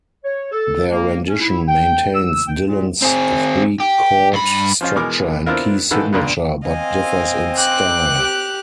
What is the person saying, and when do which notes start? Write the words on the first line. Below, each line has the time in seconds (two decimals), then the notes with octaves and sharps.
Their rendition maintains Dylan's three chord structure and key signature but differs in style.
0.24 C#5
0.52 A4
0.91 A#3
1.28 C#4
1.40 E4
1.68 G5
2.15 E6
2.48 G5
2.68 A#2
3.02 C4 G#4
3.80 G4
4.33 G2 B5
4.81 F3 C#4 F4
4.96 B2 E3 G#3 A#4 D6
5.46 B3 C4 D4 E4 F4 A#4
5.91 A#1 D#3 E3 A4 B4 F#5
6.13 C#2 A#2 D3 B3
6.67 C4 D#5 F5 G#5
7.58 G5 D6 F#6
8.16 G4